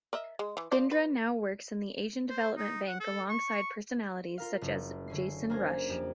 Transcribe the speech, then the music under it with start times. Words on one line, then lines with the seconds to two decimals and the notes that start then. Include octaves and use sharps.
Bindra now works in the Asian Development Bank alongside personalities such as Jason Rush.
0.13 A#4 D#5 E5
0.39 G#3
0.57 E3
0.71 F3 C5 D5
0.91 B4
2.30 C5
2.57 D#4
2.88 F#5
3.00 A4
3.29 C#6
4.38 F4 A#4 F5
4.61 F#1
5.08 D3 C#4 C7
5.50 A#3 D4 A#4 C5 G#5 A#5
5.89 F2 G4